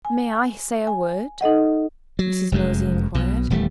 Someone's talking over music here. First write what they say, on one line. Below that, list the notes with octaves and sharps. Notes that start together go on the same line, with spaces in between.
"May I say a word?" Mrs. Mosey inquired.
G#5
G#5
D#4 A4 D#5 F#5
F#3
F1 F#2 G#3
B1 B2
D#1 E2 G3 A3